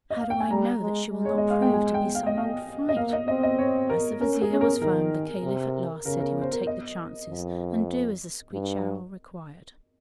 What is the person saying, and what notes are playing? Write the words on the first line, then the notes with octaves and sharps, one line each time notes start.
"How do I know that she will not prove to be some old fright?" As the Vizier was firm, the Caliph at last said he would take the chances and do as the screech owl required.
D#5
F5
G5
G#5
G3 A#5
G#3
G#3
C#5
D#5
F5
G5
G#5
G5
F5
D#5
F5
D#5
A#3 F5
D#5
C4 D#5
D#5
C#5
A#4
C#4 A#4
G#4
C#4
A#4
D#3 A#4
C3
C#3 A#4
A#4
C5
A#4
D#5
F2
G2